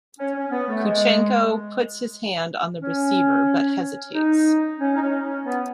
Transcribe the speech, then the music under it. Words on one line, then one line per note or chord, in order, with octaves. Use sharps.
Kuchenko puts his hand on the receiver but hesitates.
C#4
C#4
B3
A3
G#3
C#4
D#4
C#4
D#4
C#4
C#4
B3